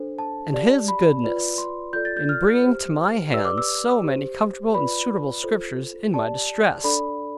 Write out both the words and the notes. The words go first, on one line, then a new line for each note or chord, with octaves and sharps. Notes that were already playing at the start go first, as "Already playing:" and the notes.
And His goodness in bringing to my hand so many comfortable and suitable scriptures in my distress.
Already playing: D4 A4 C5
A5
G4 D5
B5
F4 B4 D5
C6
F4 A4 D5 G6
A6
G6
F6
G4 C5
G4 B4 D5 E6
D6
E6
G4 C5
F4 B4 D5 B5
F4 A4 C5
G4 D5 A5
D4 A4 D5 B5